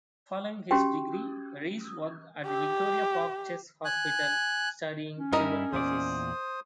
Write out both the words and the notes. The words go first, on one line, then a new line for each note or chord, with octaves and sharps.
Following his degree, Rees worked at the Victoria Park Chest Hospital, studying tuberculosis.
C#4 F#4 G4 G5
G4
G#5 F#6
C#4
G2 G3 D#4 E4 A#4 D#5
E2 A#2 C5 D5 D#6